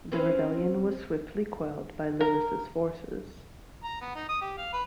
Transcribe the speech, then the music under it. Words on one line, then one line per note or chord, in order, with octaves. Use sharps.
The rebellion was swiftly quelled by Louis' forces.
C4 C#4 B4
A#4
A#5
B3
D#4
D#6
G4
F5
B4